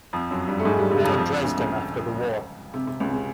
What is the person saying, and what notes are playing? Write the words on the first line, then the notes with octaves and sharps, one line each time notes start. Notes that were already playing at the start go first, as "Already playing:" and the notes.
Or Dresden after the war.
F2 F3
F#2 F#3
G2 G3
A3
G#2 G#3
G2 G3
G2 G3
F2 F3
F2 F3
D2 D3
C#2 C#3
C3
C3
C#2 C#3
C#3